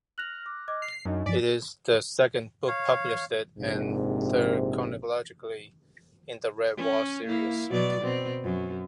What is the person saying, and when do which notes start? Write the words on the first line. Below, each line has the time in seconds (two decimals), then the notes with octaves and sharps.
It is the second book published and third chronologically in the "Redwall" series.
0.18 F6 F#6 A#6 F7 F#7
0.46 D6
0.68 D#5 D6 G#6
0.82 C7 F7
1.05 F#2 D4 D#4 D#5
1.26 G2 F3 D5 G#5 B6
2.68 C#5 F5
3.58 A#1 G#2 C3
6.77 C#4
7.25 A#3 E4
7.70 B2 F#3 D5
8.01 B2 C4
8.44 F#2